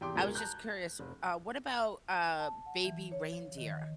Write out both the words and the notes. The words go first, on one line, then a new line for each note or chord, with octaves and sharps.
I was just curious, w uh, what about, uh, Baby Reindeer? Have
E2 C3 G5 C6 D6
C#2 B2 G#4 A#4 G#6 G7
A5 A#5 F#6 G6
F1
A5
F#5
E3
C#5
F3
D#3